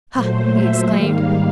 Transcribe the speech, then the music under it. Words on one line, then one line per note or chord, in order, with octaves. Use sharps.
"Huh!" he exclaimed.
A#2 F#3 A3 C5
E5
G#2 D#3 G3 A#3 F5